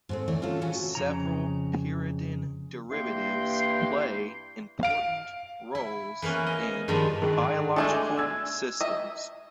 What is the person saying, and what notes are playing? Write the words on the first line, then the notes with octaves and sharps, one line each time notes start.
Several pyridine derivatives play important roles in biological systems.
G#2 A3 C4
D2 E3 A3 C#5 D5
C#4 F4 F#4 A4
A2 C#3 E3 C#4 F#4
F2 C#3 A#5
G2 E3 A#3 E4 G5 C6
F5 D7
E4
E3 A#3 B3 C#4
D#5
G2 D#3 F3 G#3 D4
G#2 D#3 G#3
G#3 A3 D4 A4 G#5
E6 G#6
D#5 E5